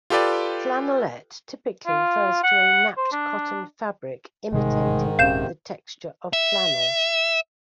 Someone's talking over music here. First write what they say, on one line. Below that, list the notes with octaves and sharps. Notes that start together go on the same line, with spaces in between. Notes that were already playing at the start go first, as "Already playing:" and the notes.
Flannelette typically refers to a napped cotton fabric imitating the texture of flannel.
F4 G4 A4 B4 D5 G5
F4
F#5
C5
D4
A1 G#2 C3 D#3 G#3
D#1 C3 C#4 F5 G6 E7
E5